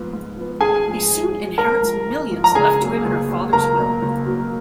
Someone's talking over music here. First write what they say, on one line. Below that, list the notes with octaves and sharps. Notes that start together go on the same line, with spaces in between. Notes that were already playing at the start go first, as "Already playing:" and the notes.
He soon inherits millions left to him in her father's will.
Already playing: G#2 F3 B3
G#2
F3 B3
G#1 G#4 G#5
G#2 F3
G#1
G#2 F3
G#1 A#4 A#5
G#2 F3
G#1
G#2 F3
A#5
C#2 G#4 G#5
B2 F#3 A#3
C#2
B2 F#3 A#3
C#2 A#4 A#5
B2 F#3 A#3
C#2
B2 F#3 A#3